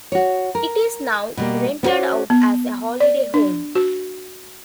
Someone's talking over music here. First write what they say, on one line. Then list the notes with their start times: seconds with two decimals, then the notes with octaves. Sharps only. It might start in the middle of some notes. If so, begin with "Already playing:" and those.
It is now rented out as a holiday home.
0.12 F#4 C#5
0.55 A#4
1.37 B2 G3 A#3
1.83 B3 C#4 F#4 B4 C5 D5
2.30 B3
3.00 D5
3.34 D4
3.75 F#4